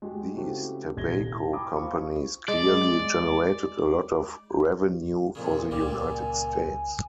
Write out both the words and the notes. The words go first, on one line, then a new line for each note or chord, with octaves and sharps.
These tobacco companies clearly generated a lot of revenue for the United States.
G#3 F#4 G4
C#3 A3 C4 E4 F#4 G4
D#1 C2 G#6 A#6 G7
E4 A5
G5 G#5 A#5 B5 D6 D#6
F4 C5 F5 B5 C#6
G#3 D5
F2 A#2 C#3
C#2 A#2 C#3 G3 D6
G#5